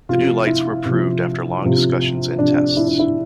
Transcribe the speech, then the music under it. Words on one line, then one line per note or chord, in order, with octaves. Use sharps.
The new lights were approved after long discussions and tests.
C3 F3 F4
E4
C3 F3
C3 F3
C3 F3 D4
E4
D4
E4